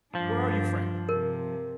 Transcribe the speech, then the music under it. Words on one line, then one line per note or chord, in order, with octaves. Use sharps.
Where are you, Frank?
G2 F3 D4
C3 A#4